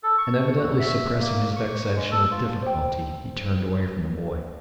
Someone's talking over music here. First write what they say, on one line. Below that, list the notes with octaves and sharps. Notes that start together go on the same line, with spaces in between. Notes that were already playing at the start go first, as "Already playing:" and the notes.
And evidently suppressing his vexation with difficulty, he turned away from the boy.
A4
C#6
F#4
E5
A#3
C#6
G#3
A4
F4
C5 G5